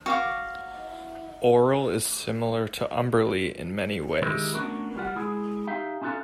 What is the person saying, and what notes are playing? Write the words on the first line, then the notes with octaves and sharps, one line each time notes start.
Auril is similar to Umberlee in many ways.
F#4 F5 D6
D#3 G#3 D#4 E4 G4
A3 B3 C#4 D4 F#4 A#4
G3 F4 F#5
G#3 E4 G#4
D#4 G4 E5 F5 G5
C#4 D#4 F4 F#4 A4 E5